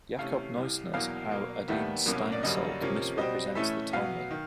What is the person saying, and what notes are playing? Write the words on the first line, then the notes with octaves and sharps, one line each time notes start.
Jacob Neusner's How Adin Steinsaltz Misrepresents the Talmud.
C3 E3 A3 C#4 F5
C2 C3 E3
E2 B2 F#3 A#3 F5
B2 F#3 A#3
D#2 D#3 G3 B3 E5
C2 B2 F#3 A#3 C#4
D5
F#2 D3 G3 A#3 C#4 D#5
C3 F3 A#3 C#4
B2 G3 C4 D#5
A2 E3 A3 C#4 E5
B2 F#3 B3 F5
D#3